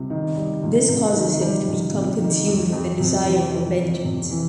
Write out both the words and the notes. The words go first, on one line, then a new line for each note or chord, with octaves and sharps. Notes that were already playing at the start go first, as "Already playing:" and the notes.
This causes him to become consumed with a desire for vengeance.
Already playing: C#2 C3 G3
D#3
G3
C#2
C3
D#3
G3
C#2
C3
D#3
F2
F2
C3
E3
F2
F2
C3
E3